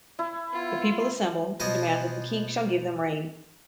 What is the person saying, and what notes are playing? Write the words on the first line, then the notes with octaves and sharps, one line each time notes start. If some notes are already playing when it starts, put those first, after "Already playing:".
The people assemble and demand that the king shall give them rain.
E4
B3 F4
B2 F3 D#5 G#5